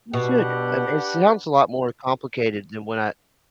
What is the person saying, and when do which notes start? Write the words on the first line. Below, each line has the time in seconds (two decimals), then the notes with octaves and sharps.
You should, I mean, it sounds a lot more complicated than what I
0.13 B2 D4 G4 B4 F#5